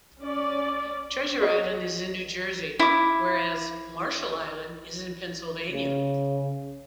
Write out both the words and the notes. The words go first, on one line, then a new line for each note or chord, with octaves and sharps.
Treasure Island is in New Jersey, whereas Marshall Island is in Pennsylvania.
C#4 D5
F#4 G#4 D5 D#5
E4 D6
C#3